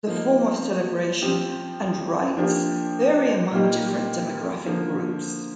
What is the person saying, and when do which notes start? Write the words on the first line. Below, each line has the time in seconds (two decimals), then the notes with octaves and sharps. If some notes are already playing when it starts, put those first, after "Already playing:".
The form of celebration and rites vary among different demographic groups.
0.07 F3 A#3 D#4
1.22 F3 C4 G4
2.37 F3 A#3 D4 G4
3.52 A#2 G3 A#3 D#4 G4
4.66 D3 F3 A#3